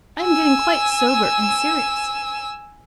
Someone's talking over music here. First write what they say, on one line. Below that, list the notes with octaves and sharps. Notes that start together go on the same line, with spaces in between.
I am getting quite sober and serious.
G#5 E6